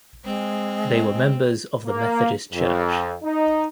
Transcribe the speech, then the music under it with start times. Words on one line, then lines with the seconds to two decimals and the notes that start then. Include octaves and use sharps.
They were members of the Methodist Church.
0.25 G#3 C4
1.86 A#3
2.52 F2
3.23 D#4